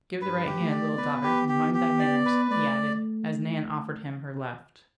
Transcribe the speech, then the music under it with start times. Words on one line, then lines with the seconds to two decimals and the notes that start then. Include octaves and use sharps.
"Give the right hand, little daughter, and mind thy manners," he added, as Nan offered him her left.
0.21 G2 B4
0.46 G4
0.59 A3
0.72 D5
0.97 B3 B4
1.23 G4
1.48 G4
1.74 G4
2.00 D5
2.25 B4
2.50 A3 D5